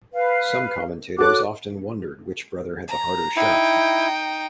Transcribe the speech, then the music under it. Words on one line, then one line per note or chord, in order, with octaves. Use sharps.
Some commentators often wondered which brother had the harder shot.
B4 F5
F#4 A4 C#5 D6 F#6
A#5
D#4 E4 G5